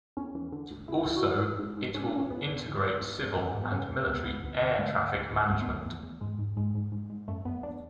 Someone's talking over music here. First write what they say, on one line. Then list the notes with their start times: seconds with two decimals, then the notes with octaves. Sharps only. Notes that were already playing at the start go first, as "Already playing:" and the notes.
Also, it will integrate civil and military air traffic management.
0.17 E2 C#4
0.35 E3
0.52 D3
0.70 D2
0.88 C#3 E4
1.06 D2 E4
1.17 F#4
1.23 E3 E4
1.41 E3
1.59 G#2
1.77 G#2
1.95 G#2 C#4
2.05 D4
2.12 E3 C#4
2.30 E2 B3
2.48 E2
2.66 E3
2.84 G#2
3.01 E2
3.18 E2
3.37 E3 B3
3.55 G#2
3.64 B3
3.72 C#3 C#4
3.90 E2
4.03 A3
4.08 D2 B3
4.25 D2 B3
4.44 D2
4.62 D3
4.79 D2 A3
4.97 D2
5.14 D2
5.32 D2
5.50 D2 A3
5.62 B3
5.68 D2
5.74 A3
5.85 E2
6.03 E2
6.21 G#2 G#3
6.39 G#2
6.57 G#2 G#3
6.75 G#2
6.92 G#2
7.10 G#2
7.28 F#2 A3
7.45 F#2 B3
7.63 E2 D4